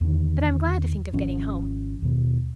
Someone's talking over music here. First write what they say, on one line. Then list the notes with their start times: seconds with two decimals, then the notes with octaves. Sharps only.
But I'm glad to think of getting home.
0.01 E2 D3 D#3
1.13 G#1 F3 C#4
2.02 D#2 B2